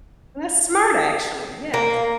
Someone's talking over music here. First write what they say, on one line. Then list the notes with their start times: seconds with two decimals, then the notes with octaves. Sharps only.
That's smart actually, yes.
1.74 A#3